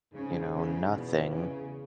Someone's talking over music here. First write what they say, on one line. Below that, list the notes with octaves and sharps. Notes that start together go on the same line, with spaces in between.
you know, nothing
G#2 C#3
C#3
E2 B2
C#3